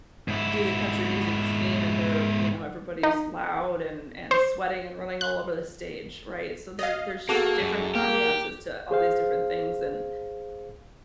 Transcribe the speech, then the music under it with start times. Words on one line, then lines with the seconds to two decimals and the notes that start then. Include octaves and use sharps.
do the country music theme and they're everybody's loud and and sweating and running all over the stage, right? So, there there's just different ambiences to all these different things, and,
0.28 G#2 E4
3.03 D#4
4.31 C5
5.21 F#6
6.79 D#5 F5
7.29 A#3 F#4 G#4 A4 A5 D6
7.60 F#2
7.95 A#3 G4
8.91 G#4 C5 F5